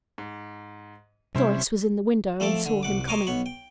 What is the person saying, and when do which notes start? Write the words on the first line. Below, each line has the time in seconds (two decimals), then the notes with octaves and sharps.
Doris was in the window and saw him coming.
0.18 G#2
1.35 C3 G3 C#4 E4 C5
2.40 F3 A3 C4 A4 E5 D6
2.65 D3
2.83 C2 F#5 D6
3.08 C5 D#5 G#5 A#5 C#6 D6
3.27 B1 B3 C#5 B5 C#6
3.46 G5